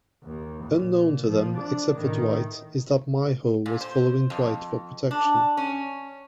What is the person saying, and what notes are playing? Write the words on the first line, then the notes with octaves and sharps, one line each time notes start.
Unknown to them except for Dwight is that Miho was following Dwight for protection.
D#2
A#2
F3
D4
A2 D#3
A#2
C5
F2
D4
C#4